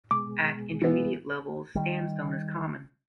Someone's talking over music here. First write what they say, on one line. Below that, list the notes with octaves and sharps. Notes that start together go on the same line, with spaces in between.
At intermediate levels sandstone is common.
B2 G#3 D6
E3 B3
D#3 G3